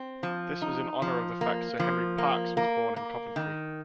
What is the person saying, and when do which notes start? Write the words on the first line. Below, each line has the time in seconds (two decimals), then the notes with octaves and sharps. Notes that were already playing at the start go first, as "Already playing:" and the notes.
This was in honour of the fact Sir Henry Parkes was born in Coventry.
Already playing: C4
0.23 F3
0.62 D#4
1.02 F3
1.41 A#3
1.79 F3
2.18 A#3
2.57 A#3
2.96 A#3
3.36 D#3